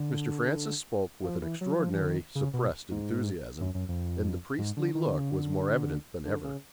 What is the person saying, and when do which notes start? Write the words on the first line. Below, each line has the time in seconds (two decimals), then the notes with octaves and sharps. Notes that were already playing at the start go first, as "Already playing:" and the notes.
Mr. Francis spoke with an extraordinary suppressed enthusiasm, and the priestly look was more evident than ever.
Already playing: D3
1.24 F3
1.42 E3
1.61 F#3
1.79 F3
1.93 E3
2.01 D3
2.07 D#3
2.35 C#3
2.53 B2
2.91 G#2
3.60 F#2
3.75 F#2
3.89 F2
4.58 G#2
4.77 D3
4.95 D#3
5.07 D3
5.19 C#3
5.30 D3
6.25 D3
6.44 C#3